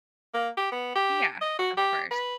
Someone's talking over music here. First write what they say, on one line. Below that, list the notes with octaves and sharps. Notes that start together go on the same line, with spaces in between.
Yeah, of course.
A#3
G4
B3
G4
D#5
F#4
G4
B4